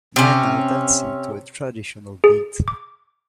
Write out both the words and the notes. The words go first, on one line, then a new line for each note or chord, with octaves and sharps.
Men are dancing to a traditional beat.
C3 C#4
G#4
D6